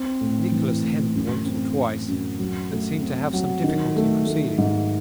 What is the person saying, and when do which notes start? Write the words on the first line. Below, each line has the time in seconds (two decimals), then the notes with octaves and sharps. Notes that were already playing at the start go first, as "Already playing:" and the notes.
Nicholas hemmed once or twice, and seemed to have some difficulty in proceeding.
Already playing: C4
0.21 A2
0.52 E3
0.83 A2
1.15 F#2
1.46 C4
1.76 C4
2.08 F#2
2.39 F#3
2.71 A3
3.02 C4
3.33 F#3
3.64 D#3
3.96 A3
4.27 A3
4.58 G#2